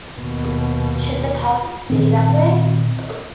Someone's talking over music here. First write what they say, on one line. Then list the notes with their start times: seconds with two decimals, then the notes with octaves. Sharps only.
Should the tuft stay that way?
0.17 D#2 B2
1.90 A#2 D#3 B3 C4